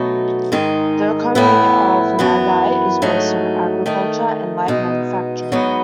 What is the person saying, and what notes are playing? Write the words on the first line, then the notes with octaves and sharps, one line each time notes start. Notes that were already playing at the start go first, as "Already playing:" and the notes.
The economy of Nagai is based on agriculture and light manufacturing.
Already playing: B2 F#3 A3 D#4
G#2 D#3 G#3 D#4
A2 E3 B3 E4
F#2 E3 B3
G#2 F#3 A3 D#4
D#3 A3 D#4
B2 G#3 D#4
G#2 F#3 B3 D#4